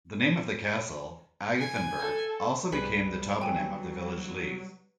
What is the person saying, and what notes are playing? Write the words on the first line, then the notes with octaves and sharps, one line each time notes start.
The name of the castle, Agathenburg, also became the toponym of the village Lieth.
G#5
A4
C2 G3 G#4 B4
F#3 G5 G#5